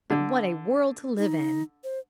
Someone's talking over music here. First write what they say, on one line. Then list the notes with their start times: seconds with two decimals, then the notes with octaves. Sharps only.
But what a world to live in!
0.10 D3
1.18 D#4
1.84 C5